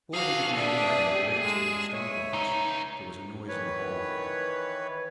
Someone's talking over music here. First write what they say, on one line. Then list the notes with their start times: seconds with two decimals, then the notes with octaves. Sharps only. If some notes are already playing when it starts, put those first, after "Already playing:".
But before he could do more than glance into the strong box, there was a noise in the hallway.
0.14 F#4 G#4 A4 F5 D#7
0.57 D4 E5 A5
1.11 G4
1.44 G#3 E7
1.94 C#5 E5
2.33 C#2 D#4
3.48 D#3 E3 B4 C#5